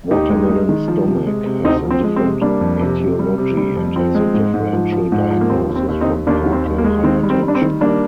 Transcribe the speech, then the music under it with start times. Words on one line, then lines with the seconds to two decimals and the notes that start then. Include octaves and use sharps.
Watermelon stomach has a different etiology and has a differential diagnosis from portal hypertension.
0.11 D#2 D#4 G4
0.30 G#3
0.50 G#3
0.69 D#3
0.88 F3
1.07 C3
1.26 G#3
1.46 C3
1.64 D2 C4 D#4
1.85 F3
1.90 C4
2.03 G#3
2.16 C4
2.23 C3
2.41 G3 A#3 D4
2.61 F2
2.81 C3
2.99 C3
3.19 G3
3.38 C3
3.57 G3
3.76 F2
3.96 F3 C4
4.15 G#3
4.34 G#2
4.54 G#2
4.73 F3
4.92 F3
5.12 G#2
5.30 F3
5.41 A#3
5.50 D#2 C4
5.69 D#2
5.76 C4
5.89 D#2
6.01 C4 D#4
6.08 D#2
6.27 D#2 A#3 D4
6.43 D#3 A#3
6.52 C4
6.65 D#2
6.78 A#3
6.84 G#3
7.04 D#3 C4
7.23 G3
7.30 C4
7.42 G3
7.48 D4
7.55 C4
7.62 D#3
7.81 G3 A#3 D4